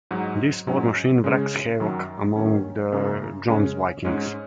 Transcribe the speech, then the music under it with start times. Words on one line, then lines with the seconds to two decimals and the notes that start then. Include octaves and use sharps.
This war machine wreaks havoc among the Jomsvikings.
0.11 G#2 F#3 D#4
0.67 G#2 F#3 C#4
1.24 C#3 G#3 C#4
1.80 F#2 D#3 F#3
2.36 D#3 F#3 A#3 C#4
2.92 F#2 C#3 A#3
3.48 C#3 G#3 C#4
4.05 G#2 G#3 C#4